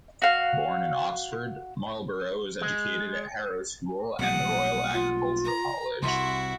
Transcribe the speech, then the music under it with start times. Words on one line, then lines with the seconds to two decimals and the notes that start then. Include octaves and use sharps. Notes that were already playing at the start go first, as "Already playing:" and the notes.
Born in Oxford, Marlborough was educated at Harrow School and the Royal Agricultural College.
0.22 F#4 F5
2.61 G#3
4.19 B1 A#2 G3 F#5 D#6
4.93 F4
5.44 A#5
6.02 C2 E4 F#4 C6